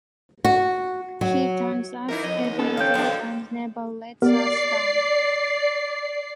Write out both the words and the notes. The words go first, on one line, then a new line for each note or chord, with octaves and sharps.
He turns up every day and never lets us down.
F#4
F#3
E3 D#4 E4 A#4
F2 D#5
D#2
B3 C#4 A4
F3 C#4 F5 G5
B2 D#3 F3 D4
B3 G4 A#4 D5 C7